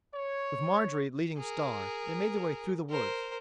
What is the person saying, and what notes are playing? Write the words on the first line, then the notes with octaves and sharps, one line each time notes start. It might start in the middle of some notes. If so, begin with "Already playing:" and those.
With Marjorie leading Star, they made their way through the woods.
C#5
G#4 A#4
A#4 C5